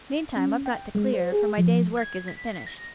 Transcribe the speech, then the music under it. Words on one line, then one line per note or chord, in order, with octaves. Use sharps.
Meantime, I've got to clear, for my day's work isn't finished.
C#4
G5
G#3
C5
G#4
F3
G#6
B6
A#6